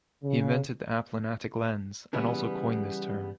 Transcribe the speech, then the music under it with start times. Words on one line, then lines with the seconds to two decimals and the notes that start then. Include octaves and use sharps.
He invented the aplanatic lens and also coined this term.
0.24 C#3
2.13 C#3 E3 G3 B3